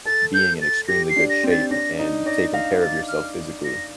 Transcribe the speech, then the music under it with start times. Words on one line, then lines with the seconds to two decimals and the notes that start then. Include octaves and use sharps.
being in extremely good shape and taking care of yourself physically.
0.05 A4 A6
0.34 G6
0.61 A6
0.88 G4 A#6
1.10 C7
1.16 D4
1.30 A#6
1.44 C4
1.51 A6
1.71 D4 A#6
1.99 D#4
2.26 D5 A#6
2.53 F5 A#6
2.82 A6
3.08 F6
3.64 A#6